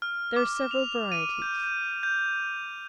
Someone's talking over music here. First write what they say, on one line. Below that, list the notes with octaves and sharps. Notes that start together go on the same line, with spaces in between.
There are several varieties.
F6
D6
F7
D#7
G6
G6
G6